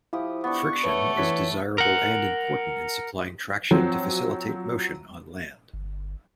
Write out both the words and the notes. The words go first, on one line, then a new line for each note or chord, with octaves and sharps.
Friction is desirable and important in supplying traction to facilitate motion on land.
F3 E4 G4 D#6
B3 D4 C#6
A3 B4 C#5
E3 B4 C#5 B6
A#4 F#5
F3 F#3 C4
G1